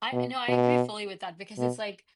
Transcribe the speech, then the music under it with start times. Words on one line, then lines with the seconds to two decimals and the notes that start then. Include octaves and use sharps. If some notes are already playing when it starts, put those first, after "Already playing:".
I I know, I agree fully with that because it's, like,
0.12 B2
0.49 B2
1.58 B2